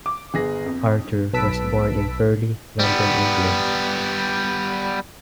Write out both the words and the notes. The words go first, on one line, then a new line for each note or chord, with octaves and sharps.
Arthur was born in Purley, London, England.
D6
G1 G#4 A#6
F2
B1 B4 A5 E6 B6 D7
G3 B3